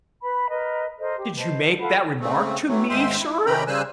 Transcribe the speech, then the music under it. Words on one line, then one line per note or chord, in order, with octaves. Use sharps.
Did you make that remark to me, sir?'
B4 B5
A#4 B4 D#5
A4 A#4 C5 D#5
G4
B4 C5 D#5 A5
F4 A4 F#5 B5
C#3 A3 C4
A2 E3 F#3 A3
D#2 G#2 G#3 E5 G5 C6
E4
C3 D#3 C#4 G5 A#5 B5
C#3 G3 C5 G#5 E6 F#6